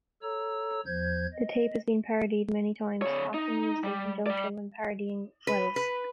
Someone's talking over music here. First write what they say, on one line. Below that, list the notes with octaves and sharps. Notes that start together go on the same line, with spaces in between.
The tape has been parodied many times, often used in conjunction when parodying Welles.
A4 C#5 A#5 E6
E2 F3 C5 G6 G#6
D#5
D3 C#5
D#4
G3
G3 D5
B4
B4